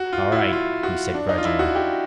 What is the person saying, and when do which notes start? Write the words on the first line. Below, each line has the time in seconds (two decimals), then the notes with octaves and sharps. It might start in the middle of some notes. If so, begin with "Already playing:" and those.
"All right," he said grudgingly.
Already playing: F#4
0.13 F4
0.32 E4
0.53 F4
0.83 F#4
1.14 D4
1.29 D#4
1.38 F4
1.45 E4
1.59 F#4
1.75 G4